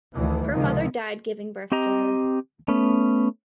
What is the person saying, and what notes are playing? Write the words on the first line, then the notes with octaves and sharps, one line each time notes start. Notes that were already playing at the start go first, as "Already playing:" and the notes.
Her mother died giving birth to her.
D2 D#3 E3
C#2 C3 D#3 F3 C4
C4 G4 D#5 A#5
A3 B3 C#4